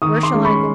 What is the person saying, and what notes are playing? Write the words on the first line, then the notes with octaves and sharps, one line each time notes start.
Where shall I go?
D#3 C#6 D#6
C6 D6
G#3 C#4
B5 C#6